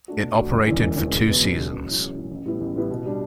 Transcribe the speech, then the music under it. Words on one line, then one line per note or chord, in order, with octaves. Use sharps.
It operated for two seasons.
A3 D4 F#4
B2
A3 D4 F#4
E1
E2 C#3 E3
E1
E2 C#3 E3
C#2
B2 F#3 B3
C#2
B2 F#3 B3
A1
A2 F#3
A1
A2 F#3
A1
A2 G3 B3 E4
A1
A2 G3 B3 E4
B2
G3 D4